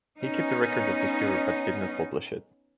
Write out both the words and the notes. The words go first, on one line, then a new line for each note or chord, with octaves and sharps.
He kept a record of this tour, but did not publish it.
B3 C#4 D#4